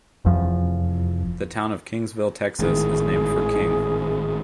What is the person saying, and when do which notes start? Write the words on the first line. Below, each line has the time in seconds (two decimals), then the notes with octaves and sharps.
The town of Kingsville, Texas is named for King.
0.25 F1 E2 F3
2.59 G#1 A2 D#3 G#4